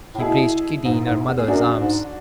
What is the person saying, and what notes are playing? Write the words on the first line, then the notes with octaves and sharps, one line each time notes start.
He placed Kitty in her mother's arms.
A2
B2 E4 G#4
G#2
G#2
E2
G#4
F#2 D4 F#4
G#2